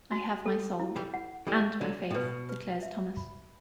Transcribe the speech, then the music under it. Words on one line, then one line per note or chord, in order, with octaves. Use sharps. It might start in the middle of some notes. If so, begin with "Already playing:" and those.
"I have my soul...and my faith," declares Thomas.
F#4
A4
E4
E3 G3
F#5
E3 G3 A4
D3 F#3 D5
A2
B2 B4
B4
E5
B5